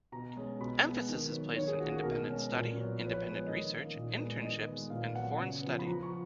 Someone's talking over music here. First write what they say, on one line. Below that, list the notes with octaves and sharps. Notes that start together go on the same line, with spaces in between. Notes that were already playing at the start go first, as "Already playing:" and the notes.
Emphasis is placed on independent study, independent research, internships and foreign study.
B2 A#5
G#3 C#4
B2 B5
G#3 B3
D#3
F#3 B3
D#3 C#5
G#4
A#3 C#4 F#4
F#4
B2 A#4
G#3 C#4
A#2
F#3 B3
F3 B4
C#5
B4
G#3 B3 C#5
C#5
D#3 D#5
A#3 C#4
A#2
G#3 B3
D#3 D#5
G#3 B3
A#2 F5
F#3 B3 F#5
C#3
F3 B3
B5
F3 A#5
C#6